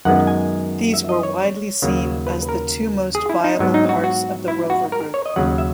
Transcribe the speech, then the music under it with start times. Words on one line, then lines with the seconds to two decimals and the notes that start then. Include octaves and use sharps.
These were widely seen as the two most viable parts of the Rover Group.
0.05 F#2 D#3 G#3 B3 F#5
0.27 G#5
0.94 E5
1.09 D#5
1.23 C#5
1.82 D#2 C#3 F#3 A#3
2.27 B4
2.49 A#4
3.15 G#4
3.29 E4
3.44 D#4
3.59 G#2 F#3 B3
3.74 D#4
3.89 F#4
4.04 F#4
4.48 E4
4.70 F#4
4.92 A#4
5.14 C#5
5.26 D#5
5.36 D#2 C#3 F#3 F#5
5.58 E5